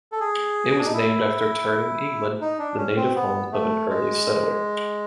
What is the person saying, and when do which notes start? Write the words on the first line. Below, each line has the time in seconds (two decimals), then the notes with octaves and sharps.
It was named after Turton, England, the native home of an early settler.
0.12 A4
0.20 G#4
0.79 D4
0.85 D#4
0.93 E4
2.41 D#4
2.59 D4
2.77 C#4
2.96 C4
3.15 B3
3.52 A3
3.89 G#3